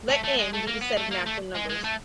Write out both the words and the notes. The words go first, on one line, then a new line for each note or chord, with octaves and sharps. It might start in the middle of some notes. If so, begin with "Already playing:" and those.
Let N be the set of natural numbers.
A3
A3
G#3
A3
A#3
B3
A3
A#3
A3
G#3
G#3
A3